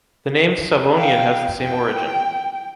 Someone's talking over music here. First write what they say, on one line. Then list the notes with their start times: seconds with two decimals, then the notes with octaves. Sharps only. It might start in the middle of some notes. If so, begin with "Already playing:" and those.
The name Savognin has the same origin.
0.95 F5 G5
1.61 G5